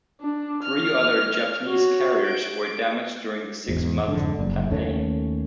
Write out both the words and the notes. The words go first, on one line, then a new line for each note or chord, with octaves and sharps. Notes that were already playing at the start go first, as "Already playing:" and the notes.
Three other Japanese carriers were damaged during the six-month campaign.
D4
F6
F#4 C#5
D7
E2 G#2
F2 G#2 D3
F#1
D#2 D#3 A3 C#4